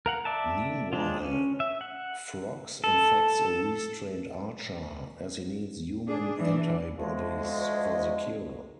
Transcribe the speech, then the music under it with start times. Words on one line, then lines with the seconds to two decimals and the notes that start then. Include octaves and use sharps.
Meanwhile, Phlox infects a restrained Archer, as he needs human antibodies for the cure.
0.06 A#4 F5 F#5
0.25 D5 E5 A5
0.93 G#3 D4 F4
1.25 C#4
1.60 E5
1.81 F#5
2.84 A4
6.07 D4 G#4
6.38 E3 D4
6.98 D2 F3 G#3